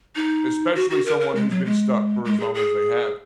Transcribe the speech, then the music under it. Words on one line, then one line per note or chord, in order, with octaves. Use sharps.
especially someone who's been stuck for as long as they have.
D#4
F#4
F#4
A#4
A#4
G#3
F#3
G#3
G#3
G#4
G#4